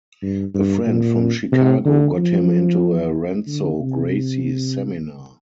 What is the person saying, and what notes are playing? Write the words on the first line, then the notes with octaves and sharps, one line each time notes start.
A friend from Chicago got him into a Renzo Gracie seminar.
G2
G2
A#2
C3
D3
F3
D3
C3